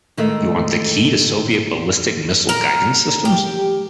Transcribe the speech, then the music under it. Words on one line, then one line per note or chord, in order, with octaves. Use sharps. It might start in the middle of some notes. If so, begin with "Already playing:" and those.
You want the key to Soviet ballistic missile guidance systems?
A2 D#3 G#3 A3 E5
A#4
G4